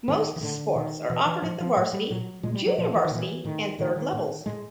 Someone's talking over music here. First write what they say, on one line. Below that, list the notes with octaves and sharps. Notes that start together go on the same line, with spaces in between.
Most sports are offered at the varsity, junior varsity and thirds levels.
A2 D#3
D#3
A2 D3
B2 D#3
B2 E3
E3
A2 F3
F3
A2 F#3
G3
A#2 F#3
A#2 G#3
G3
F#3
A#2 F3
E3
D#3
A#2 E3
A2 D#3
A2 D#3
D#3
A2
A2 G#3